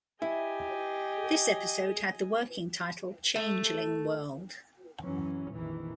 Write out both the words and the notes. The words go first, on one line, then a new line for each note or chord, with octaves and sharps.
This episode had the working title "Changeling World".
E4 G4 D#5 G#5
A3
F#2 E3 F#3 C#4
A#1 F2 D#3 E3